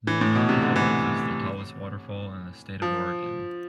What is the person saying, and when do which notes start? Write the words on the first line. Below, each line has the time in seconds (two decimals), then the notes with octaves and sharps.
Multnomah Falls is the tallest waterfall in the state of Oregon.
0.07 E3
0.21 A2
0.35 B2
0.49 C3
0.62 D3
0.76 E3
2.82 F3